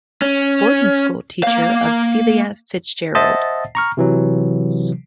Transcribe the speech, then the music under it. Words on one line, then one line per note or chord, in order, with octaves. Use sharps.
Boarding-school teacher of Celia Fitzgerald.
C#4
A#3 F5
C5 D#5 E5 F#5 A5 A6
A#5 C#6 F6
C3 E3 F#3